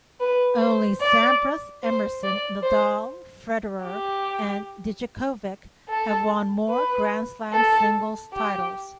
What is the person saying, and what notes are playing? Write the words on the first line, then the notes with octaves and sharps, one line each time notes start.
Only Sampras, Emerson, Nadal, Federer and Djokovic have won more Grand Slam singles titles.
B4
C5
D5
C5
D5
C5
G4
A4
B4
A4
G4